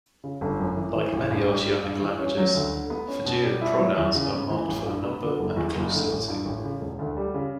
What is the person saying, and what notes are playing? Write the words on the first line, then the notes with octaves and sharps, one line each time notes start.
Like many Oceanic languages, Fijian pronouns are marked for number and clusivity.
C#3
G1
F#2
E3
E3
A1
G2
G3
G3
G2
E3
C#4
F#3
D2
D3
B3
C#4
B2
G3
E4
F#3
E2
C#3
B3
E3
A1
G2
B3
D3
F#1
E2
F#1
D3
A1
G2
A1
C#3
E1
D2
G3
C#3